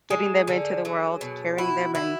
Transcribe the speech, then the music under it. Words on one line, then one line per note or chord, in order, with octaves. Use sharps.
getting them into the world, carrying them and
G#3 G#4 G#5
D3
F#3
B2
E4 F#4 F#5
E4